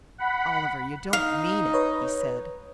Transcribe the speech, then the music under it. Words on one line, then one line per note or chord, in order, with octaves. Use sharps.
"Oliver, you don't mean it," he said.
F#5 B5
D#4 F5
B4 C#5